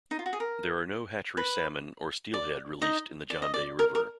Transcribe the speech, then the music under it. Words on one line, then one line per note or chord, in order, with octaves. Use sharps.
There are no hatchery salmon or steelhead released in the John Day River.
D#4
F4
F#4
G#4
A#4
B4
D5
D#4 D#5
D5
D#5
D5
A#4
A#4